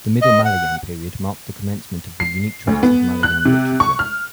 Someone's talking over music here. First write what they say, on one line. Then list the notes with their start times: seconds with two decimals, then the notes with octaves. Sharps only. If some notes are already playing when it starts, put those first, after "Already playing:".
The Middle Malayalam period marked the commencement of the unique traits of Malayalam literature.
0.22 D#5
0.45 F#5
2.20 C7
2.67 D2
2.83 B3
3.23 F#6
3.45 C3
3.80 C#6
3.99 F6